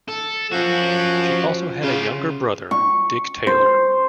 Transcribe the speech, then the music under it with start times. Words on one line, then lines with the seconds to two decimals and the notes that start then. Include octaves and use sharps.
She also had a younger brother, Dick Taylor.
0.08 A4
0.52 F3 C#4 F#4
1.83 C#3 F4 G4
2.71 C#6
3.47 C5